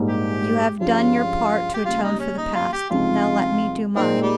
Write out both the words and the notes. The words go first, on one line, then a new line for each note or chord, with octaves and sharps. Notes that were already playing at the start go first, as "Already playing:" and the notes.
You have done your part to atone for the past, now let me do mine.
Already playing: A#1 G#2 G3 A#3 D#4
G4
G2 F3 G#3 C#4 F4
G4
D#2 C#3 G3 F4
D#4
C#4
D#4
F4
G4
C#2 C3 F3 C4 D#4 F4
A#2 G#3 C4 D#4 A#4
G3